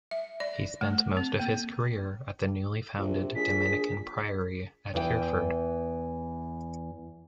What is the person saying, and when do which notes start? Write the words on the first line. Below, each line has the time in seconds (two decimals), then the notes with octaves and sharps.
He spent most of his career at the newly founded Dominican priory at Hereford.
0.11 E5
0.40 D5
0.81 A3
1.17 C4
1.39 A#3
2.98 A#1 C3
3.35 A#1 G#4 B6
4.94 E2 E3 G5